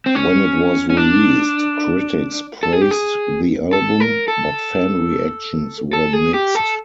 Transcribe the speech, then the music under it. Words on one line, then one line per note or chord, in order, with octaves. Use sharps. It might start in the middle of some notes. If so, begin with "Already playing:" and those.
When it was released, critics praised the album, but fan reactions were mixed.
C4
C#4
C#4
D4
A4
G#4
G4
G#4
A4
A#4
A4
A4
G#4
G4
A4